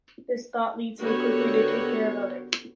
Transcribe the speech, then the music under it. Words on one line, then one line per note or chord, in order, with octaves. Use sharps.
This thought leads him quickly to take care of others.
D3 B3 F#4 G4 A#4 C#5